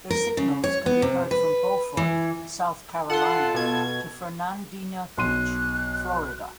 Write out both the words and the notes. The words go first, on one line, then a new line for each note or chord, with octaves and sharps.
Their signals can be heard from Beaufort, South Carolina to Fernandina Beach, Florida.
A#4
C#3
C#5
B3
C3
B4
E3
F4 A4 F#5 A5 C6
B2 G#6
B1 C6 F#6 D#7